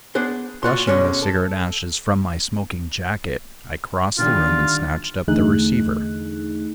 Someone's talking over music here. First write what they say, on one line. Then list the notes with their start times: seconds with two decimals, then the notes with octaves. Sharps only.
Brushing the cigarette ashes from my smoking-jacket, I crossed the room and snatched up the receiver.
0.15 B3 D4 G#4 C5
0.63 A#2 F4 F#4 C6
0.87 B2 D3 G#3 C#4
1.22 A4
4.18 D3 D#3 G3 F4
5.28 E2 D3 A3 D#4 G#4 F#6